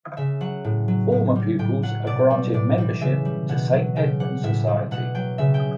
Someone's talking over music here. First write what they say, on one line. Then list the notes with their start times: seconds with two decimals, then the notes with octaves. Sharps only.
Former pupils are granted membership to Saint Edmund's Society.
0.17 C#3 E5
0.41 F#3 F#5
0.64 A2
0.88 F#3
1.12 A2
1.36 G3
1.59 A2 G5
1.83 F#3 F#5
2.07 B2 D5
2.30 G3
2.54 A2 D5
2.78 E3 G3
3.01 C#3 E5
3.25 G3
3.49 B2 F#5
3.72 F#3
3.96 C#3 G5
4.20 G3 F#5
4.43 A2 E5
4.67 G3
4.91 B2 F#5
5.15 F#3 G5
5.38 C#3 E5
5.54 G5